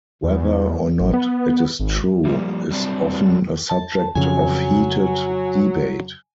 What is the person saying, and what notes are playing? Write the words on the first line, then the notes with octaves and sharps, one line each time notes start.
Whether or not it is true is often a subject of heated debate.
E2
A1
B3
G#1
F3 G3 A#3
F#3 G3 C4 D4
A5
F2 C#3 F#3 G#5